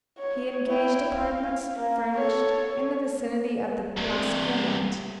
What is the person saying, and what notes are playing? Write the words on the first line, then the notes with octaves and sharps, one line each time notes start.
He engaged apartments, furnished, in the vicinity of the Place Grenette.
C#5
E4 G5
F5
A#3
A4 C#5
G2 C3